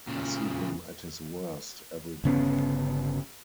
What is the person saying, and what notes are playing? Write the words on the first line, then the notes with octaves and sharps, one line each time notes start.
I see him at his worst every day.
A#2 C#3
G1 C#3 B3 C#4